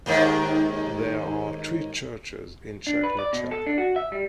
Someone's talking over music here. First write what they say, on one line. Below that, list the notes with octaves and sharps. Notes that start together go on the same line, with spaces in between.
There are three churches in Cerknica.
D#2 G#2 D#3
D4
B4
D5
B2
A4
D4
F#4
E5
G3